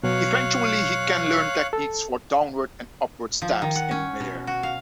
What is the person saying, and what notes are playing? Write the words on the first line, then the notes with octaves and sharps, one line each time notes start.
Eventually, he can learn techniques for downward and upward stabs in midair.
B2 F#3 C#5 F5 F#6
A4
F3
D#3
F#5
C#4
B2
F#4
F5